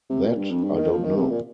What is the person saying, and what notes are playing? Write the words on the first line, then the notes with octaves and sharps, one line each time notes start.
That I don’t know.
C3
A#2
G2
F2
G2
D#3
F3
D#3
C3
A#2